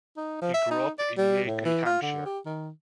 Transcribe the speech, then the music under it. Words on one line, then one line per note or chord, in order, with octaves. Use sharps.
He grew up in Yateley, Hampshire.
D#4
F3
E5
D#4
D5
G3
A2
E3
F4
D3
G4
D#3